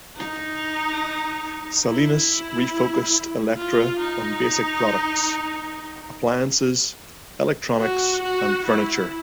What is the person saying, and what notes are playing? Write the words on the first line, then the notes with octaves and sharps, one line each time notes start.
Salinas refocused Elektra on basic products: appliances, electronics, and furniture.
D#4
E4
F4
D#4
F#4
F#4
E4